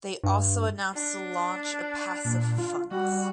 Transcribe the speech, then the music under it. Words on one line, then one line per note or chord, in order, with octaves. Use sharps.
They also announced the launch of Passive Funds.
G2
D4
A#2
F4
G3 F#4